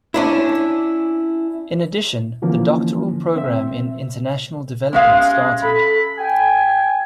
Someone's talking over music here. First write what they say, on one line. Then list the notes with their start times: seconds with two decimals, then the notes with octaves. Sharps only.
In addition, the Doctoral Program in International Development started.
0.14 C#4 D4 E4
2.42 D3 E3 F3 A#3 C#4
3.36 C4 E5
4.93 C2 G#3 C#4 E5 F5
5.63 A4 B5
6.18 G5 G#5